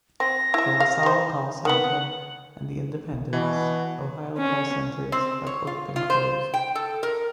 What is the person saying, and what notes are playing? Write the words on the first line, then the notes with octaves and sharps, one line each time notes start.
The LaSalle call center and the Independence, Ohio call centers have both been closed.
C4 A#6
E4 E5
F5
D#4 C5
D#3 B3 F#5
B2 E3
C#4
C4
C#5
F4
F4
C5
G5
A4
A#4